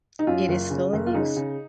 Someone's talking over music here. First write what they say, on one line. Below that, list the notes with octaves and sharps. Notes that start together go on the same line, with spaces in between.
It is still in use.
D#4
F#2 F4
F#1
C#3
F#1
F4
C#3 D#4
C#3